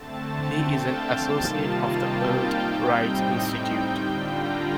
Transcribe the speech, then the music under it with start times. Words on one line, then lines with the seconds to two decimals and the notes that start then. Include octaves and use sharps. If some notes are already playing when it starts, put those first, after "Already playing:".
He is an associate of the Earth Rights Institute.
Already playing: D3 A3 C4 A5 A6
0.12 A5 A6
0.46 G5 G6
0.80 F5 F6
1.15 C3 D#3 G3 A#3 F4 A5 A6
1.84 G5 G6
2.19 F5 F6
2.53 A2 G3 C4 D#4 G5 G6
2.88 G5 G6
3.23 G5 G6
3.93 D3 G3 D4 F4
4.27 A#5 A#6